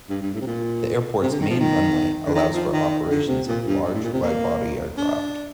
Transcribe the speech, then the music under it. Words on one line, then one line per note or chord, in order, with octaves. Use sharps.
The airport's main runway allows for operations of large, widebody aircraft.
G2
G2
A2
C3
A#2
C3
D3
D#3
F3
D#3
D3
D#3
F3
D#3
D3
C3
A#2
G2
G2
A2
A#2
C3
A#3
D4